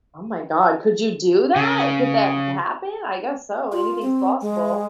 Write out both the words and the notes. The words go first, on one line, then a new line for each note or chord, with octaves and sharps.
Oh my god. Could you do that? Could that b happen? I guess so, anything's possible.
C#3
F4
C4
G#3